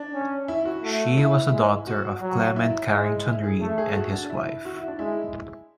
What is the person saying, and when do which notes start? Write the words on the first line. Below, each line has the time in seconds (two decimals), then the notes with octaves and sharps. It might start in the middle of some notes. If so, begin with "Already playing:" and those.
She was the daughter of Clement Carrington Read and his wife.
Already playing: D4
0.14 C#4
0.48 E4
0.65 F#4
0.83 A3
1.17 E4
1.53 G#3
1.87 F#4
2.22 F#3
2.56 E4
2.92 G#3
3.26 E4
3.43 G#4
3.61 A3 A4
3.78 G#4
3.96 F#4
4.12 D4
4.30 E4
4.65 F#4
4.76 E4
4.88 D4
4.99 G#3 E4